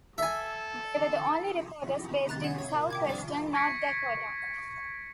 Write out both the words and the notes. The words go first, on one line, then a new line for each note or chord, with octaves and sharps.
They were the only reporters based in southwestern North Dakota.
A4 E5 G#5
A#5 F#6 A6
F#5 G#5
C#5
A#2
G5 D6 G#6
G2 C3 D5
C#6 G#6 A#6 B6 C#7 D7